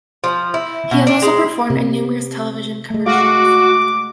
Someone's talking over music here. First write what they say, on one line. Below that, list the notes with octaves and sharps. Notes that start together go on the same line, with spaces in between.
He has also performed in numerous television commercials.
F3
E4
B2
D4
G#3
C3
G#3 A3
F#4 F5 D6